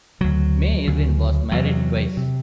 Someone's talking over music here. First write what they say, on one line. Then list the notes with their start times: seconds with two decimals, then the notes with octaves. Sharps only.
May Irwin was married twice.
0.20 D2 C#3 F#3
0.87 D2 C#3
1.52 E2 C3 F#3
2.17 C3